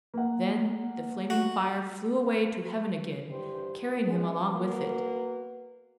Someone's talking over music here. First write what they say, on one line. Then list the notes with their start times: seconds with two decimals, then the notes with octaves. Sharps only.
Then the flaming fire flew away to heaven again, carrying him along with it.
0.14 A#3 F#5
1.30 F#4
3.29 G2 E3 G4 C5
4.06 G#3 B3 C#4 G#4
4.53 A#3 B3 F#4 B4